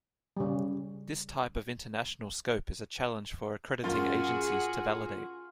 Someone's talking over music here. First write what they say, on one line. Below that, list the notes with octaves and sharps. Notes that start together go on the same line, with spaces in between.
This type of international scope is a challenge for accrediting agencies to validate.
C#3 G3
F#2 F4 F#4 G#4